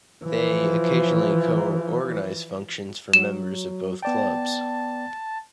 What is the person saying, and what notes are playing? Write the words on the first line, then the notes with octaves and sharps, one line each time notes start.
They occasionally co-organise functions for members of both clubs.
E3 F3
F#3 E7
B3 D5 G5 A5